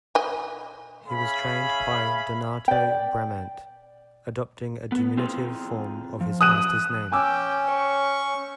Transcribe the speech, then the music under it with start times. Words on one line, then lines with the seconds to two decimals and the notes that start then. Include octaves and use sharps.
He was trained by Donato Bramante, adopting a diminutive form of his master's name.
0.15 D#5 G#5
1.08 C#4 G#4 E5 F5 B5
2.68 D5 G5
4.92 B3
5.17 C4 F4 G#4
6.21 F3
6.41 D#6 F#6 D#7
7.12 C#4 G5 G#5 D6 E6
7.68 C#5 C#6